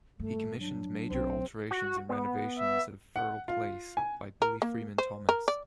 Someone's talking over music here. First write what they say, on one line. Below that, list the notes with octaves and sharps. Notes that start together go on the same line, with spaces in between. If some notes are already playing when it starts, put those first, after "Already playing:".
He commissioned major alterations and renovations of Firle Place by Billy Freeman Thomas.
G2 D#3 A3
F#3 D4
B1 C4 D#4
F#4
B3
E5
F#5
F4
G#5
A#4
A#3
C5
A#4
D5